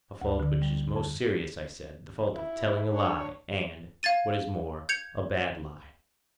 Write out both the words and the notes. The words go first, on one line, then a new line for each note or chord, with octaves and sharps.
A fault which is most serious, I said; the fault of telling a lie, and, what is more, a bad lie.
D2
D3
G3
F2
E4
D4 C#5
F5 G#6 A6 D#7
G6 G#6 C#7 F7